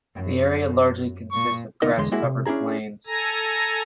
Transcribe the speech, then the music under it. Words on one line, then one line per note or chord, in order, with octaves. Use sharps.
The area largely consists of grass-covered plains.
F#2
A#2 C#6
C#2 B3 D#4 A#4 D#5
E2 D3 G#3 C6
G#3 A#3 E4 F#4 G#4
C3
C#4 D4 E4 G#4 A#5
A4 G#5 A#5 A#6